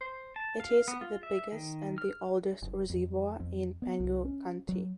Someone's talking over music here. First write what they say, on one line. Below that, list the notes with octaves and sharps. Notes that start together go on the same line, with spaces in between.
It is the biggest and the oldest reservoir in Penghu County.
C5
A5
F5
B3
F4
E5
D#3
F6
F#1
F2
F2
B3
C2
C#4
F#3